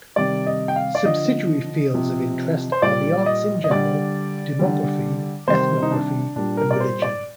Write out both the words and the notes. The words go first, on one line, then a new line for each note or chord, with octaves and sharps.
Subsidiary fields of interest are the arts in general, demography, ethnography and religion.
C3 D#3 G3 D5
D#5
G5
F5
D5
D3 F3 D#5
C3 F3
C5
A#2 G3 D5
D#5
D#5
D3 G3 D5
D3 G3
C3 D#3 G3 C5
D#4
D4
A#2 G3 D4
A#4
D5
C5
D5